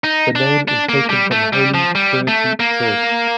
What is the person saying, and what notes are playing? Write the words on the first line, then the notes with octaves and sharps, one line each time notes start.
The name is taken from "Holy Trinity Church".
D#4
D4
D4
A#3
G3
A3
G3
F3
G3
A3
A#3